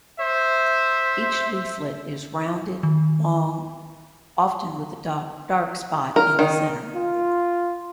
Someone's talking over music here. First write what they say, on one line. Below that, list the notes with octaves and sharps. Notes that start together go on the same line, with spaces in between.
Each leaflet is rounded, long, often with a dark spot in the center.
C5 E5
D#3
A#4
D#3
F4